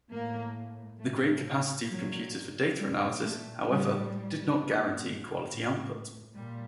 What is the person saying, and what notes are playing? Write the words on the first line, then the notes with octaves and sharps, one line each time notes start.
The great capacity of computers for data analysis, however, did not guarantee quality output.
A2 A#3
A2 A3
A#2 F#3
A#2 G3
A3
A2 G3
A#2
A2
A#2 G3